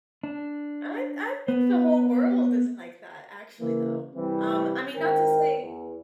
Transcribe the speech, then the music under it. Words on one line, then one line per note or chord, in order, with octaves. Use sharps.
I I think the whole world is like that actually, though. Um, I mean, not to say
D4
B3
C#3 E3 A#3
C2 E3 G3 C4
G#1 D#3 A#4 C5 G5
E2